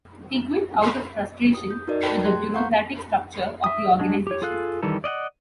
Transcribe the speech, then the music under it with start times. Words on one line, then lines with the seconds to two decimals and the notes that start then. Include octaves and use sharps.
He quit out of frustration with the bureaucratic structure of the organization.
1.54 D#6
1.71 G6
1.87 D#4 F#4 A4 A#4 D5 D#5
2.03 G5 A5
2.23 A3 C6 F#6 G#6
2.54 F5 F#5 A#5 C#6 G6
3.64 E5 D#6
3.99 G#3 D4
4.27 G4 C#5
4.42 F4 G#4 A4 F5 F#6
4.83 D#3 E3 G3 A4
5.04 D5 D#5 F5 F#5